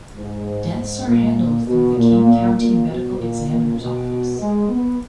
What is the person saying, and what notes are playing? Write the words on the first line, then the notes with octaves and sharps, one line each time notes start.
Deaths are handled through the King County Medical Examiner's Office.
G#2
G#2
A#2
B2
A#2
A#2
B2
A#2
A#2
B2
G#3
B3